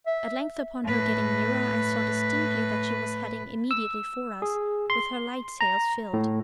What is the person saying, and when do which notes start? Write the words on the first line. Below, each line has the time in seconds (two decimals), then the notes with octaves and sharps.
At length upon her getting nearer, I saw distinctly that she was heading immediately for us, with her light sails filled.
0.07 E5
0.85 A2 B4
3.71 E6
4.42 G#4
4.90 C6
5.61 A#5
6.13 A2